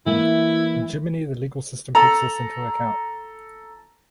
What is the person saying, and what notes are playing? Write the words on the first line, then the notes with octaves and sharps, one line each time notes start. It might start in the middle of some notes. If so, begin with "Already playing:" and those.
In Germany the legal system takes this into account.
E3 A#3 E4
A4 A#5